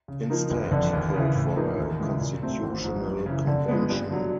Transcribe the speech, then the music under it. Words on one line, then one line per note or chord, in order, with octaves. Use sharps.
Instead, he called for a constitutional convention.
C#3
F3 A#3 D#4
G1
F2 D3
D#2
C#3 E3
A2
F3 A#3 D#4
D#2
C#3 E3 G#3
A#2
F#3 A3 C4
G#1
G#2 F3
F#2
C#3 E3
D3
F3 G#3 B3
G2
D3 F#3